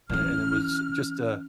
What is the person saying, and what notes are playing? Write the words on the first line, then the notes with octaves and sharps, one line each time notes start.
And it and it was just a
E3 C#4 F6